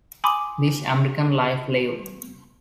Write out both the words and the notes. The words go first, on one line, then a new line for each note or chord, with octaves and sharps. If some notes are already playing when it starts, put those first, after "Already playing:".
This American Life Live!
G#5 B5 C6 D6 D#6